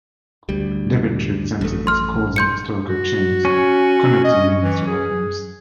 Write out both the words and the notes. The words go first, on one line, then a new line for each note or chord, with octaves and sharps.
Devitt treats senses as causal-historical chains connecting names to referents.
D2 G3
A1 A3
C6 F6
C6 G6 C#7
F#4
C#4
D#5
E3
G#4